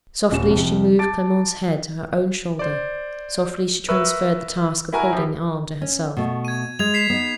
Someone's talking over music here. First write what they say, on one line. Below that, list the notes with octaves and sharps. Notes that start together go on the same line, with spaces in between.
Softly she moved Clement's head to her own shoulder; softly she transferred the task of holding the arm to herself.
D#1 C#4 E7
C2 F2
A5 D6 A6 D7
C5 D5
A#4 B4 E5 C#6 E6
E4 F#4 A#4 G#5 A#5
F3 E4 G4
C#4
B2 A3
G#6 D#7
G#3 G#6 F7
B6 C7 E7
B3 D#4